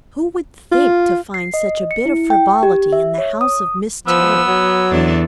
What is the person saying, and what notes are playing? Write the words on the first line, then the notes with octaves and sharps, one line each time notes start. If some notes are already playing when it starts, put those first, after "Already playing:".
Who would think to find such a bit of frivolity in the house of Miss Terry!
F4
C7
D#5
C#7
E4
G5
G4
E5
C#5
D#6
F3 B3 E6
F#3
E2 D4 A4